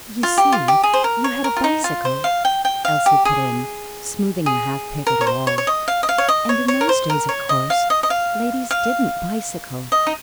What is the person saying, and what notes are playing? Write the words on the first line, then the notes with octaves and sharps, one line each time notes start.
'You see, you had a bicycle,' Elsie put in, smoothing the half-papered wall; 'and in those days, of course, ladies didn't bicycle.
F4
G4
F4
G4
G#4
C5
A#4
C#5
A#4
F4
D#4
F4
C5
F5
G5
G5
F5
G4
G#4
G#4
A#4
C#5
C5
C#5
C#5
D#5
F5
D#5
F5
C#5
D#5
C#5
C#5
A#4
C5
A#4
C#5
D#5
F5
D#5
D#5
F5
F5
D#5
D#4